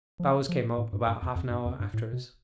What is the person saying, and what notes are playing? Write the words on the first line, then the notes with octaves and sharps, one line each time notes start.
Bowers came up about half an hour after us.
F3
F3
A2
G2
G2
F2
F2
G2
F2
G2
A2
B2